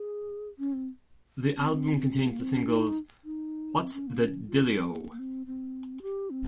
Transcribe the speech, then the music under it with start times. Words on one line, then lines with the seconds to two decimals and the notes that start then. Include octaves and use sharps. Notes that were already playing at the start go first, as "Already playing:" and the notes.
The album contains the singles What's the Dillio?
Already playing: G#4
0.59 C#4
0.73 C4
1.57 C4
2.13 C#4
2.26 A#3
2.40 C4
2.55 C#4
2.68 D#4
3.24 D#4
3.79 C4
3.93 C#4
4.07 A#3
4.21 C#4
4.48 F4
4.63 C4
4.76 C4
4.91 A#3
5.11 A#3
5.19 C4
5.47 C4
6.02 G4
6.30 C4